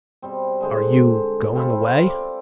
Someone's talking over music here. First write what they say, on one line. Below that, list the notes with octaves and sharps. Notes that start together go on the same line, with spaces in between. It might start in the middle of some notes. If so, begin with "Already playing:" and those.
"Are you... going away?"
B2 G3 C4
D3 G#3 C5
C4 F4 A4 B5
D5